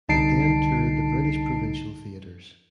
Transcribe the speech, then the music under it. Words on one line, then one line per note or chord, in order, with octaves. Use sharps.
It then toured the British provincial theatres.
C2 D3 D#4 A5 C7 D7